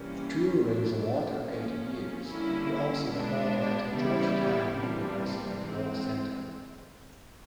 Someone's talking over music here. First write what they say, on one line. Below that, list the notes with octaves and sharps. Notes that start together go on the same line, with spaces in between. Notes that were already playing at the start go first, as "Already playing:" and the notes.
During the Watergate years, he also taught at Georgetown University Law Center.
Already playing: C3 E3 G3 A#3 C#4
A2 E3 A3 D4
A#2 F3 A#3 C#4
D3 G3 A#3 C#4 E4
B2 G#3 B3 D4
C#3 E3 G3 B3 E4
C3 E3 G3 A#3 D4
E3 G#3 C4